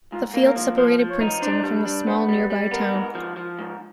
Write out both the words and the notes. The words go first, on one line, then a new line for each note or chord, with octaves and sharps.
The field separated Princeton from the small nearby town.
G#2 F4
A#3
A#4
F3
F3 C5
F3
C#5
D#4
D4 C5
G3
D4
B3 C5
G3
B4
G3
B3 A#4
G#2
F3
F3
G#2